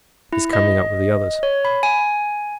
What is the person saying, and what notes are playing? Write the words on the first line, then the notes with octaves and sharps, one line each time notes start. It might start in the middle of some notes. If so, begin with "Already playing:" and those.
He is coming up with the others.
E4
D#5
C#5
B5
G#5